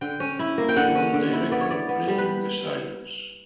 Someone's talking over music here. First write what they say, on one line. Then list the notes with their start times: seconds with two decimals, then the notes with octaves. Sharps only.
She was director of Breaking the Silence.
0.01 D3 G5
0.20 C#4
0.39 E4
0.58 A#3
0.69 G5
0.76 D3 F#5
0.95 C#4
1.14 D3
1.33 E4
1.51 B3 D5
1.61 C#5
1.70 B3 D5
1.89 B3
2.08 G3
2.18 B4